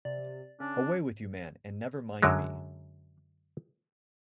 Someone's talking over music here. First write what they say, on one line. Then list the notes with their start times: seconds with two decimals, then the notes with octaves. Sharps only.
Away with you, man, and never mind me.
0.05 C3 D5
0.60 C#3 C#4 D4
2.22 F#2 D3 F#3 G#3